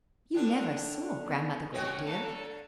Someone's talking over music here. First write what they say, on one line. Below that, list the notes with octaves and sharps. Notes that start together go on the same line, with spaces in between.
"You never saw Grandmother Great, dear."
A2 D3 D4
B3
C#3 G3 F#4 C#5 D#5 G5
D3 A3 A4